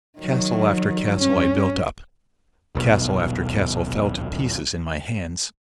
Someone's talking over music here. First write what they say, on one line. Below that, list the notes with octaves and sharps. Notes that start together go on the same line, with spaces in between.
Castle after castle I built up; castle after castle fell to pieces in my hands.
D#3 F#3
G2 C#4
D#1 B1 B2